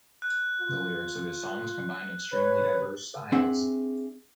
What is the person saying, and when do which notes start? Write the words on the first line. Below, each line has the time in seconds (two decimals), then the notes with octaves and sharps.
The lyrics of his songs combine extremely diverse styles.
0.22 F#6
0.62 F4
2.33 B4 C#5
3.32 C4 D4 G#4 E5 F#5